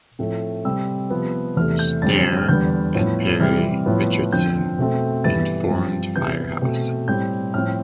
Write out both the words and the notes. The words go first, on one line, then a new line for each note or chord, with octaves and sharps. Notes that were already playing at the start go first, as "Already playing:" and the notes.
Snare and Perry Richardson, and formed FireHouse.
A2 F3 A3 C4
C3 G3 C4 E6
C3 F3 B3
E2 C3 E3 A3 F6
G6
F2 D3 G3 C4 A6
F6
E2 D3 G3 B3 G6
A2 F3 B3
C3 E3 G3 C4 F6
A2 F3 B3
F2 D3 F3 C4 G6
B2 A3 C4
G2 E3 G3 B3 A6
G2 F3 C4
C3 E3 B3 G6
B2 A3 C4
A2 G3 C4 G6
A2 F3 C4 F6